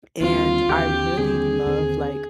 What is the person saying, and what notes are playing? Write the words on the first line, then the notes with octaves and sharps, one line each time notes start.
and I really love, like,
D#2 D3 G3 C4 F4
D#2 D3 G3 C4 G4
D#2 D3 G3 C4 G#4
D#2 D3 G3 C4